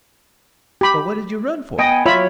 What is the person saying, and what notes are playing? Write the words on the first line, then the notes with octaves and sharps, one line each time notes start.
"Well what did you run for?"
G4 B5
B3 D#5 G5 G#5
F#3 F4 C#5 E5 B5